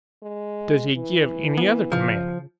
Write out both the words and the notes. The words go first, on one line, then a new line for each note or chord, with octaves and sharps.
Does he give any other command?
G#3
E3
B3
C#3 F3